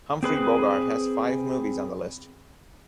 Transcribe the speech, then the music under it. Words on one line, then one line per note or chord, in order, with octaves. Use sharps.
Humphrey Bogart has five movies on the list.
C4 G#4 B4